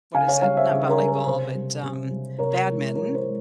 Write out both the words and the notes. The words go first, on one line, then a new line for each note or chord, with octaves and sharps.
what is it? Not volleyball, but, um, badminton,
C#3 F5 G#5
C#5 F5
G3 C#5 F5
C5 E5
C#3
A#4 C#5
G3
A#4
C3 C5
G3
C3
G3
C3 A#4 C#5
E3 G#3
C3 A#4 C#5
C5
G#3